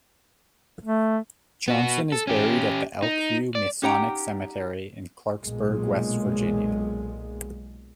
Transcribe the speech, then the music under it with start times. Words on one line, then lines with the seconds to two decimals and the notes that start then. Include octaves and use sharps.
Johnson is buried at the Elkview Masonic Cemetery in Clarksburg, West Virginia.
0.85 A3
1.68 B3 F#4
2.12 A4
2.27 C#4 G4
3.03 D#4
3.55 D5
3.82 C#4 D#4 G4 F#5 G5 A#5
5.44 B1 A#2 G#3